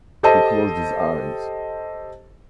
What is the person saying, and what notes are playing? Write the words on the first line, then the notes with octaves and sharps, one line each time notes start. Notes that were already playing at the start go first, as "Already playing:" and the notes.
He closed his eyes.
G4 A4 C5 D#5 A5